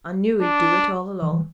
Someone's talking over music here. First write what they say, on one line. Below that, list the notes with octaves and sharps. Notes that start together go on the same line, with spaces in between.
I knew he'd do it all long.
D4
E3
E3